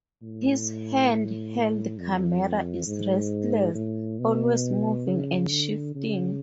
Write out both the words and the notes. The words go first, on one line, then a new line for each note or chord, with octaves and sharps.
His hand-held camera is restless, always moving and shifting.
A2
F2
G#2
A2
B2
C#3
D3
C#3